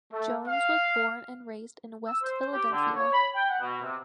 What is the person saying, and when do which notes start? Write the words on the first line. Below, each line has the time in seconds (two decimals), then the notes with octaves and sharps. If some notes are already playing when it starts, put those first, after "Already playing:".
Jones was born and raised in West Philadelphia.
0.12 A3
0.47 F5
2.07 E6
2.23 C5
2.53 G4
2.72 D3
2.96 C#5
3.13 B5
3.35 G5
3.49 F#5
3.61 B2
3.83 C3